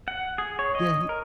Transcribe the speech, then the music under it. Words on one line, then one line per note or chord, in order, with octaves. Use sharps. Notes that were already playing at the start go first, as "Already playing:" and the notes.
Yeah, he
F#5
G#4
C#5
D#5
A#4